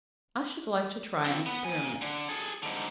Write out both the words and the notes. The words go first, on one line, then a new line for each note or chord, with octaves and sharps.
I should like to try an experiment.
F3 C4
B3
A#3 G#5
D3
G#4 A4
G#2 D3